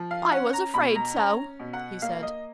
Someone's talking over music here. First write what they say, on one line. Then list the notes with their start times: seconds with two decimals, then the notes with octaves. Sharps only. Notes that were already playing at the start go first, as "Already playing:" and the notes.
"I was afraid so," he said.
Already playing: F3
0.11 F5
0.32 C#4 F#5
0.53 A#5
0.74 B2 B5
0.95 A#5
1.16 C#4 A#5
1.60 B2
1.73 F#5
2.02 A#3 F5
2.23 D#5